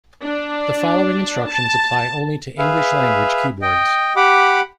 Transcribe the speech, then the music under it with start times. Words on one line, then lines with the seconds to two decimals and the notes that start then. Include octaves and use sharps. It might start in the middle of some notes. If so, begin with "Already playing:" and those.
The following instructions apply only to English-language keyboards.
0.23 D4
1.51 A5
2.58 G#4 B4 E5 F5
3.62 D#5 G5
4.16 G4 F#5 B5 D6